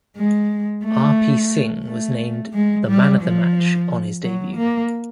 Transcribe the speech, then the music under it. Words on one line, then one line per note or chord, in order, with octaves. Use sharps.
R. P. Singh was named the Man of the Match, on his debut.
G#3
A3
A3
G#3
G3
F3
F#3
A#3